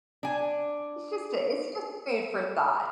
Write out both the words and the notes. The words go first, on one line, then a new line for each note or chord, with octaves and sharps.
it's just it's just food for thought.
D4 G#5